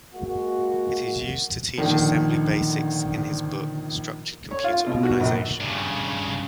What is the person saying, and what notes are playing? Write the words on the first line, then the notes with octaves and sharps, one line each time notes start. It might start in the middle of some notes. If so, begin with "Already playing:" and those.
It is used to teach assembly basics in his book "Structured Computer Organization".
G#3 A#3 F#4
A#1 D3 D#3
C#5
F4
B2
F#4
A#1
G2 C#3